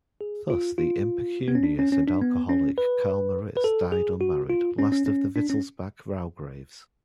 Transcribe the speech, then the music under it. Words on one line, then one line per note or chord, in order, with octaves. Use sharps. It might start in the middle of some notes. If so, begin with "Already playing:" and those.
Thus the impecunious and alcoholic Karl-Moritz died unmarried, last of the Wittelsbach raugraves.
G#4
F4
F4
B3
C#4
D4
C#4
C#4
D4
B3
C#4
B4
B4
A4
G#4
F#4
F4
C#4
C#4
C#4
D4
C#4